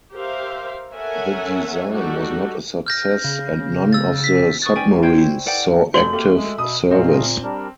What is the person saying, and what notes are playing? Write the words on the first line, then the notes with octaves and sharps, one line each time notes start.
The design was not a success and none of the submarines saw active service.
G4 A#4 C5 E5 F5
A4 A#4 C#5 E5 F#5 G#5
G3 D#4 F#4 G4 A4
F6 G6 A#6
C#3
E6 A6
B6
C#6 D#6 F#6 A6
C#4 B4 D5 G5 G#5
F4 C5 G5 G#6
E4
A4 B4 D5 F#5 G5
F1 F2 F#4 G6 F#7 G7
A3 A#3 G4 F5
G#3 E5
B2 D#6
A#2 A3 C4 D#5 F5
G3 D4 A#4